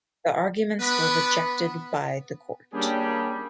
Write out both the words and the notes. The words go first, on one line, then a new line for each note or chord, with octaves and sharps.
The arguments were rejected by the court.
B3 D4 B4
G3 A#3 C#4 D4 G4 G#4